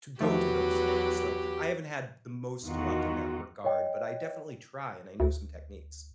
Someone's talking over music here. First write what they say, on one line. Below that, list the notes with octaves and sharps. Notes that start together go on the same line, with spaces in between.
to go to those things. So I haven't had the most luck in that regard, but I definitely try, and I know some techniques.
E2 D#3 F3 F#3 A3 G4 B4
E2 D#3 F4 F#4
C#5 D#5 G5
D2